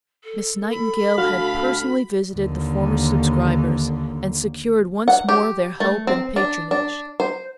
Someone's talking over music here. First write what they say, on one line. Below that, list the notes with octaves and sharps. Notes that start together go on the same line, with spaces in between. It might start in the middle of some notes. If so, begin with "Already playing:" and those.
Miss Nightingale had personally visited the former subscribers, and secured once more their help and patronage.
A4
B5
D2 F#4 F5
D#2 D3
F#5
G4
A3
C4
D4
D4
C5